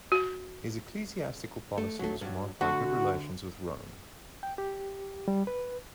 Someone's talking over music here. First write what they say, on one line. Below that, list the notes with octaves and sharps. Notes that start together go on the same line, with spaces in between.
His ecclesiastical policy was marked by good relations with Rome.
F#4
A3
F#3 A3
G2 F#3
D3 A3 F#4 A4
G5
G4
G3
B4